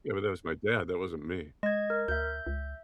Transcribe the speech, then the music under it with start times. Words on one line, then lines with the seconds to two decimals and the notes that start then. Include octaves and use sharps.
Yeah, but that was my dad, that wasn't me.
1.63 G#3 D#5 G#6
1.90 A#4
2.08 D2 E5 G6
2.47 C#2